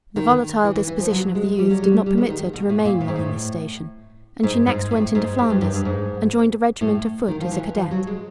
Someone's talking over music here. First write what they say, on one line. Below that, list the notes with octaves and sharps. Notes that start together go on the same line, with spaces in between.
The volatile disposition of the youth did not permit her to remain long in this station, and she next went into Flanders, and joined a regiment of foot as a cadet.
D#3
E3
E3
E3
F3
F#3
G#3
G3
F#3
G3
G3
G#3
D#3
B2
A2
A#2
A2
G#2
A2
G#2
G#2
A2
G#2
G#2
G2
F#2
G2
G#2
A2
D#3
F3
E3
F3
F#3
G#3